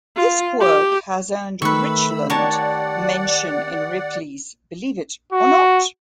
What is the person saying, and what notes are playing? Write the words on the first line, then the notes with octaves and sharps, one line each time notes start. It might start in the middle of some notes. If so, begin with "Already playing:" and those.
This quirk has earned Richland mention in Ripley's Believe It or Not!
F4
G4
D#3 A3 B4 B5 C#6 E6
D#3 G4 A#4 C#5 D5 F#5 A5
F#4